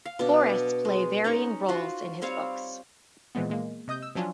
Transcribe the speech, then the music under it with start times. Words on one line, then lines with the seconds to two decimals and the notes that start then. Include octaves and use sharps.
Forests play varying roles in his books.
0.06 F5
0.19 B2 D4
0.85 G#3
1.24 C#4 D#4 A#5 C#6
1.68 F4 F#4 C5
2.22 G3 C4 C#5 F5
3.35 A#2 E3 F3 G#3 B3
3.49 A#2 G#3 A#3
3.88 C3 D#5 D#6 G6
4.02 E6
4.15 F3 F#3 C#4 D4 F4